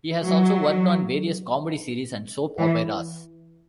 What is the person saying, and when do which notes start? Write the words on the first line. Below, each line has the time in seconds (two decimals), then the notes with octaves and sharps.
He has also worked on various comedy series and soap operas.
0.22 F#3
2.59 E3